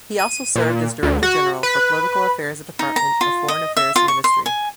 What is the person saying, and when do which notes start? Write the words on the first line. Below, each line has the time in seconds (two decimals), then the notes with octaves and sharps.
He also served as director general for political affairs department of Foreign Affairs ministry.
0.19 D#7
0.56 A#2
1.03 D2
1.23 F#4
1.63 B4
2.79 D#4
2.96 A#5
3.21 F4
3.48 D#5
3.77 E5
3.96 F4
4.08 C#6
4.24 C6
4.46 G#5